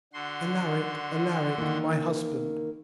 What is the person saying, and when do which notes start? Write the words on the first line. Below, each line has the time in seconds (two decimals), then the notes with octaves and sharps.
'Alaric, Alaric, my husband!
0.13 D3 F#4 C6
1.58 D#3 E3 A#3